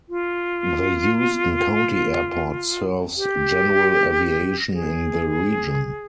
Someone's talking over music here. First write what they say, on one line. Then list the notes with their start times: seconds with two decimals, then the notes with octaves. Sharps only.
The Houston County Airport serves general aviation in the region.
0.09 F4
3.17 G4
4.72 G#4